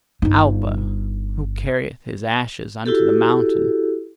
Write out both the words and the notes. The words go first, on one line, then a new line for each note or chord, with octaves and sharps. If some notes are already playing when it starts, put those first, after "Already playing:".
Alpa! who carrieth his ashes unto the mountain?
G1 D#4
E4 F#4 G4 A4